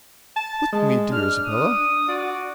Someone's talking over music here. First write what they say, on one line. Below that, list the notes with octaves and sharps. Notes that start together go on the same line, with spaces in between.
"With me, dear Isabella!"
A5
G#3
D4 F6
D#6
F#4 D5